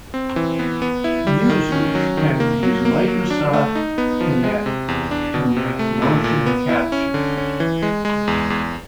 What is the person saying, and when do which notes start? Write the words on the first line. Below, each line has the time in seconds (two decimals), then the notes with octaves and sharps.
Users can use Microsoft Kinect to make motion captures.
0.14 C4
0.36 E3
0.59 B3
0.82 B3
1.04 E4
1.27 G3
1.50 D#3
1.72 C#4
1.95 F#3
2.17 D#3
2.40 A#3
2.63 F#3
2.85 A#3
3.08 F#3
3.30 D4
3.53 A3
3.75 D#4
3.98 B3
4.21 F3
4.44 G#3
4.66 C3
4.88 E2
5.11 D4
5.34 B2
5.57 C3
5.79 A3
6.02 A#2
6.24 A#2
6.46 B3
6.69 E4
6.92 C#4
7.14 D3
7.37 C#4
7.60 E3
7.82 G#3
8.05 G#3
8.28 E2
8.50 E2